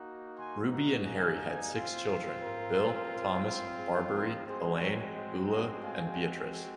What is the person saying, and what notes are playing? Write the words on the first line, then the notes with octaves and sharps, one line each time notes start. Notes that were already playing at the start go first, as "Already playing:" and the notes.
Ruby and Harry had six children: Bill, Thomas, Barberry, Elaine, Ula and Beatrice.
Already playing: A#3 D#4 F#4
G#5 C6
F#5 A#5
F5 G#5
C4 F4
A#4
G#4
A#4
G#3 C4 F#4 G#4 C5
A#4 C#5
C5 D#5
D#5 F#5
F5 G#5